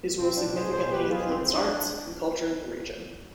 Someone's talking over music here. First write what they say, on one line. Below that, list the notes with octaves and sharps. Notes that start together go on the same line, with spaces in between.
His rule significantly influenced arts, and culture in the region.
B1 C4
D4
B2
G#4 C5
B2 G#4 C5
G4 B4
B1
F4 G#4
G1 C4
D4